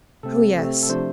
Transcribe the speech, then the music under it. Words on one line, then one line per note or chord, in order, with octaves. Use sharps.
"Oh yes."
C3 A3 C4 A4
C3 A3 C4
A4
C3 F3 A3 D4 C5